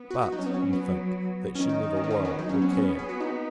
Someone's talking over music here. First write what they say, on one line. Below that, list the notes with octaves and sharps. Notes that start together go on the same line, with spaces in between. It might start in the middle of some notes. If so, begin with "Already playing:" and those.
But, you think, that she never will, or can.
Already playing: B3
F#4
F#4
F#3 D#4
C#4
B3
C#4
B3
D#3 C#4
D#4
D#4
C#4
B3
C#4
B3
F#3 D#4
C#4
B3
C#4
B3
G#4
F#4
D#4